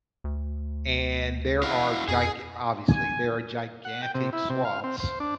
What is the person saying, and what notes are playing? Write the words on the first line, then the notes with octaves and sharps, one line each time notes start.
and there are giga obviously, there are gigantic swaths
D2
E4 F#4 F5
F2 G#4
G#5
F#5
G5
C3
E4
C3
F5
C4
C5
D4